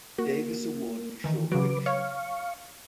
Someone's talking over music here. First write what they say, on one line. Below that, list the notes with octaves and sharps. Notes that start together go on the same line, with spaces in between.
Davis Award for Short Fiction.
A#3 F#4
D#3 E3
C#3 F#3 B4 D6
C#5 F5 C#6